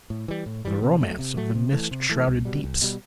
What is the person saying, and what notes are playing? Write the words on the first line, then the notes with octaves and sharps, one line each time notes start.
The romance of the mist-shrouded deeps.
A2
E3 G3
A2
E3 G3
C3
F#3 A3
C3
F#3 A3
C3
E3 A3
C3
E3 A3
C2
B2 G3
C2
B2 G3